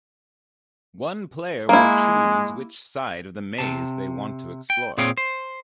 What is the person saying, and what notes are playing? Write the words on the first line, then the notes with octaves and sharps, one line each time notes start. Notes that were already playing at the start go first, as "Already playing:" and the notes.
One player will choose which side of the maze they want to explore.
G#3 A#3 E4
C3 A5
G5
A#2 C4 G#4 C#5 F5 G5
C5